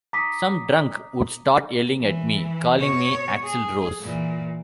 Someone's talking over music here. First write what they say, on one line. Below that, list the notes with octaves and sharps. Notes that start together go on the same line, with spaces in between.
Some drunk would start yelling at me, calling me Axl Rose.
A#5 D6 D#6 B6
E3
B2 C#5
G#4
A#2 E3